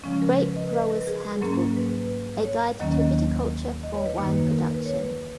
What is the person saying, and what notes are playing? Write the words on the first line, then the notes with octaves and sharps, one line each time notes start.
"Grape Growers Handbook: A Guide To Viticulture for Wine Production".
C#3 F3 G#3 C#4
A#4
B4
D#5
B4
A#4
G#4
G#2 F#3 A#3 C#4 A#4
B4
C#5
D#2 D#3 F#3 A#3 C#4 D#5
D#5
C#5
B4
F#2 D#3 A#3 D#4
A#4
A#4
B4
C#5